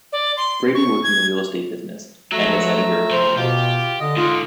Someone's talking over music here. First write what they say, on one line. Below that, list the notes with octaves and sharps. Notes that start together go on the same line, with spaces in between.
Brady worked in the real estate business, and as editor of a newspaper.
D5
C6
C#6
G#6
F3 F#3 A3 A#5 E6
A2 A#4 C5
B2 F4 G4
D3 D#5
G#2 D3 F4